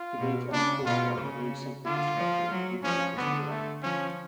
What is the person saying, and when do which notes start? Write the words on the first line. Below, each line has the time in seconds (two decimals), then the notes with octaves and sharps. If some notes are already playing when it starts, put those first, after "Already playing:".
The gate and the courtyard are very simply constructed and the woodland is real.
Already playing: F4
0.19 B2
0.52 C#3 D4
0.85 B2 F4
1.18 C#3
1.85 D3 F4
2.17 F3
2.51 F#3
2.83 F3 C#4
3.17 D3 B3
3.50 A3
3.82 F3 C#4